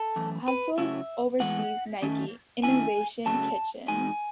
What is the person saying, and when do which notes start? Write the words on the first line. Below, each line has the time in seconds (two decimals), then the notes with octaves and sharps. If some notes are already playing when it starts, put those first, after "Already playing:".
Hatfield oversees Nike's "Innovation Kitchen".
Already playing: A4
0.16 F#2 E3 A3
0.48 B4
0.78 C#3 F#3 A3 C#4 E4 E5
1.40 A2 E3 G#3 B3 F#5
2.02 D#3 A3 C#4
2.63 D#3 A3 C#4 E4 G#5
3.26 F#2 C#3 F#3 A3 A5
3.88 E2 B2 G#3 D#4 G#5